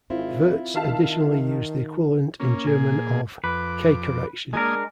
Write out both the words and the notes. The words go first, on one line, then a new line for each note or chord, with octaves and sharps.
Wirtz additionally used the equivalent in German of "K correction".
G#1 C4 E4 F4
D#3 E5 F5 A5
A#3 C#4
A#2 G#4
F2 B4 D6
G#3 A#3 D4 A#4 D#5 G#5